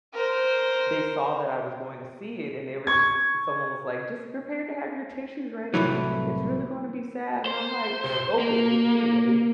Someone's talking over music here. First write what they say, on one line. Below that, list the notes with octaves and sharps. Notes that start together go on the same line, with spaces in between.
they saw that I was going to see it and they were just someone was like, "Just prepared to have your tissues ready, it's really gonna be sad." And I'm like, "Okay. Anyway,
A#4 C5
C#6 G#6
C2 A2 E3 F#3
C5
A#3